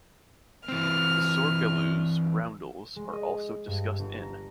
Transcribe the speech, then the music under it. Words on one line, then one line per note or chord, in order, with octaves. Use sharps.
The Sorgheloos roundels are also discussed in.
E3 C4 F6
G#3
D#5
G2
G1
A#5